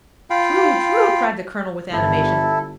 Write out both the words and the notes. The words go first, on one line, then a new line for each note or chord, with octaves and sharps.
"True--true," cried the colonel, with animation.
F4 F5 G5 B5
G1 E4 A4